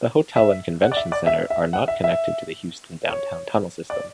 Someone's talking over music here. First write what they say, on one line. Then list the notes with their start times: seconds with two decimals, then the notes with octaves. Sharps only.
The hotel and convention center are not connected to the Houston downtown tunnel system.
0.36 E5
0.82 F#5
0.92 D5
0.97 E5
1.12 D5
1.27 E5
1.50 E5
1.73 F#5
1.88 E5
2.04 E5
3.09 C#5
3.90 D5